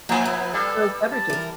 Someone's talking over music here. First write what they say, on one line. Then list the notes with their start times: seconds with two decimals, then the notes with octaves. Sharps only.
those beverages.
0.09 F3 A#3 B3 E4 G#5
0.26 B4
0.54 G3 A4
1.11 A5
1.30 E3 A#4